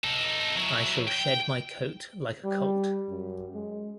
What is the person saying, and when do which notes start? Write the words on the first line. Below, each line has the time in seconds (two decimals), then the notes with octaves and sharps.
I shall shed my coat like a colt.
0.04 D#4 A4
0.55 F#3 E4
1.07 G5
2.44 G3
3.09 F#2
3.54 G#3